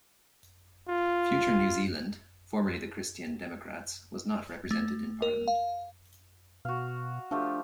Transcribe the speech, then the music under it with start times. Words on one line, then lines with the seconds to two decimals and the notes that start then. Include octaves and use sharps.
Future New Zealand, formerly the Christian Democrats, was not represented in parliament.
0.89 F4
4.71 A3
5.22 A#4
5.48 F5
6.65 B2 F#4 F5
7.31 F3 A3 D4 G4